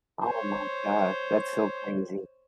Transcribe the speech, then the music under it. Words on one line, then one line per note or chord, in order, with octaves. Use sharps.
Oh my god. That's so crazy.
C5 C#5